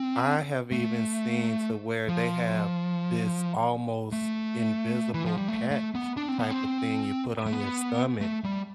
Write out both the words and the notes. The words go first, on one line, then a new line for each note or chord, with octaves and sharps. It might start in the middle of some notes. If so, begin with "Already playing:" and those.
I have even seen to where they have this almost invisible patch type of thing you put on your stomach.
Already playing: C4
A3
F3
A3
E3
F3
G3
A3
A3
B3
D4
C4
B3
C4
A3
B3
A3
G3